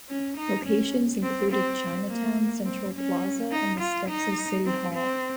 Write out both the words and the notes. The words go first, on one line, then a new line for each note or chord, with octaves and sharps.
Locations included Chinatown Central Plaza and the steps of City Hall.
C#4
D#4
C#4
C4
C4
A#3
C4
C#4
D#4
F4
D#4
C4
C4